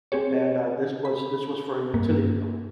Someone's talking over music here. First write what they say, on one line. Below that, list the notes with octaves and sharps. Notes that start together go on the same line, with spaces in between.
and, uh, this was this was for a utility company,
C4 G4 G#4 C#5
B5
G2 A#3